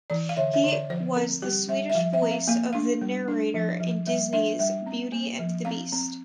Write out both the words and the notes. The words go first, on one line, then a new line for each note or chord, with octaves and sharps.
He was the Swedish voice of the Narrator in Disney's "Beauty and the Beast".
E3 D5
F5
D3 E5
E5
D3
D5
F3 C5
C4 A#4
G3 G4
G3 E5
E5
F3 F5
E5
C4
F5
A#3 F5
D4 F5
G3
D4
F3
F3
G3 E5
D4 E5
G3 E5
C4
A#3
F3
C4 F5
C4